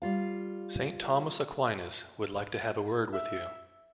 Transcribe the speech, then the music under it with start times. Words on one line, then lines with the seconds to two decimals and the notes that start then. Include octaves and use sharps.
Saint Thomas Aquinas would like to have a word with you.
0.02 G3 F4 F5
3.13 E5